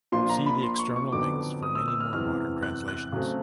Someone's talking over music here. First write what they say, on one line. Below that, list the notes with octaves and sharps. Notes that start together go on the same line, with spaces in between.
See the external links for many more modern translations.
A#2 F3 A#3 D4 F4 C6
A#5
B5
C6
C#6
C#6
F2 D3 F#3 B3 D#4 D6
D#6
E6
E6
F6
E2 C3 E3 G#3 F6
F#6
F#6
C#3 F#3 A3 C4